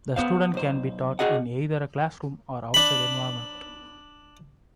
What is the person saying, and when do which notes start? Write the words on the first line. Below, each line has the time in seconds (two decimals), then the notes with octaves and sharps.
The student can be taught in either a classroom or outside environment.
0.16 B3 C5 F5
0.54 B1 C5
1.19 F#4 G#4 D#5 F#5
2.74 D4 B5